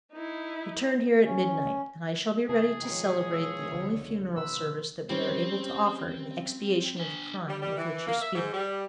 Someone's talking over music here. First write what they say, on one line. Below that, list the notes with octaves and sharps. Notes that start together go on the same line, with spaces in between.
"Return here at midnight, and I shall be ready to celebrate the only funeral service that we are able to offer in expiation of the crime of which you speak."
D#4 E4
C#4
C3 E3 G#4 A5
B2 D#3 F3 G#3 C#5
E6
C#2 B2 D3
B2 F3 A#3 B4 C6 E6
G3 C4 C#4 C5
D4 G#5
G3
G3
E3
A#3
E5
G#2
G3